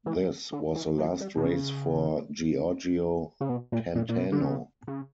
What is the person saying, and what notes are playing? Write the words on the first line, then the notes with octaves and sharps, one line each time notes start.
This was the last race for Giorgio Pantano.
E3
D3
E3
F#3
G3
B2
C#3
C#3
B2
A#2
A#2
A#2
B2
D3
C#3
C#3